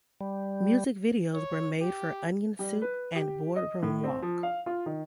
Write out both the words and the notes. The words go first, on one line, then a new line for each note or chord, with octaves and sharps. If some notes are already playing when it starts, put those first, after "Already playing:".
Music videos were made for "Onion Soup" and "Boardroom Walk".
G3
C#5
G4
G3
B4
G4
D#5
A2
C4
F3
F5
F4
D#3